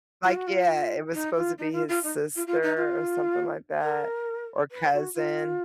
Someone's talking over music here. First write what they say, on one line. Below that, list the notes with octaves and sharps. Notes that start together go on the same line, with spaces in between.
Like, yeah, it was supposed to be his sister or something like that, or cousin.
F4
F#4
F4
D#4
F4
D#4
F4
F4
D#4
F4
F4
D#4
F4
A#4
B4
F#4
F4